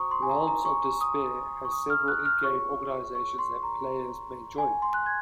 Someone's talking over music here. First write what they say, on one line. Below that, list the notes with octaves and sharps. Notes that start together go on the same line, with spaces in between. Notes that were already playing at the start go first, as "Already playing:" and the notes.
"Realms of Despair" has several in-game organizations that players may join.
Already playing: F#4 C5 A#5 C#6 D#6
C6
G#5
A#5
A#5
C#6
C#6
D#6
C#6
D#6
F6
F#6
F6
F4 G#4 C#5 C#6
C#6
C6
A#5
G#5
C6
F#6
G#6